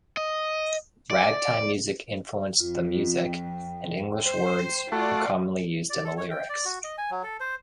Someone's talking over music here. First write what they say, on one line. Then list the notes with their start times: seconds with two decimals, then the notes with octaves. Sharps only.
Ragtime music influenced the music, and English words were commonly used in the lyrics.
0.17 D#5
1.11 D5
2.60 F2 F4
3.25 G5
4.25 C5
4.92 A3 F4 F#4 A4 D5
5.90 D5
6.04 A4
6.17 C#5
6.31 G5
6.49 D5
6.65 F#4
6.84 D#5
6.98 G#5
7.10 F#3
7.23 A4
7.40 C5